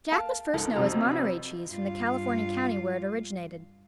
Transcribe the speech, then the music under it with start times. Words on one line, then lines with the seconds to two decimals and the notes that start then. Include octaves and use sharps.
Jack was first known as Monterey cheese from the California county where it originated.
0.12 A#4 F5 A5
0.54 C#2 G#2 A4 A#4
0.76 F2 C3 F#3 D#4 A#5
1.11 B4
1.67 G2 F4